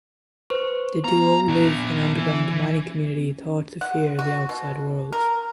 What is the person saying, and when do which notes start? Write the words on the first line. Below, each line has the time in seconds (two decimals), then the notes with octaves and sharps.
The duo live in an underground mining community taught to fear the outside world.
0.50 B4 C5 C#6
1.04 B3 A#5
1.48 A#2 D4
2.16 E3
3.81 F#5
4.19 F#4
4.49 B2
5.12 A#4